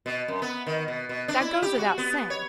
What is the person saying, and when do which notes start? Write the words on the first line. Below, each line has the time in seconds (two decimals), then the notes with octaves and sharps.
That goes without saying.
0.06 B2
0.28 F#2
0.42 B3
0.67 D#3
0.88 B2
1.09 B2
1.28 D4
1.41 E4
1.62 G4
1.78 F#4
1.98 B3
2.30 C#5